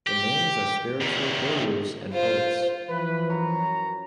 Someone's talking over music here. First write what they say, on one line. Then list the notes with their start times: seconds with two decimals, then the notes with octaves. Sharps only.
The names are spiritual gurus and poets.
0.07 G4
1.01 E2 D#3
2.12 F4 C5
2.89 E3 F3 B4
3.30 F#2 C#5 A#5